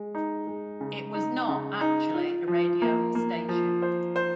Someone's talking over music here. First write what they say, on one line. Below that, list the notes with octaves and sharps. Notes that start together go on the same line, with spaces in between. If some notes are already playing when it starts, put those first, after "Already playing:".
It was not actually a radio "station".
Already playing: G#3
D#4
G#3
C#3
D#4
C#3
D#4
F4
F3
A#3
A#3
F3
C5
C5